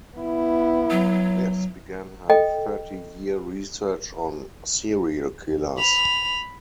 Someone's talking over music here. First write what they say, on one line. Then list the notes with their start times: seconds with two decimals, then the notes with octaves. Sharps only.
This began her thirty-year research on serial killers.
0.17 B3 E4
0.91 F#3
2.30 A4 D#5 G5
5.78 B5 F7